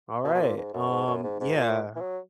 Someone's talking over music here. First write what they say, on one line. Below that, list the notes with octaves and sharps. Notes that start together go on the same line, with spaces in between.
Alright, um, yeah.
B2
B2
A#2
G#2
F#2
G#2
F#2
G#2
G#2
A#2
E3
F#3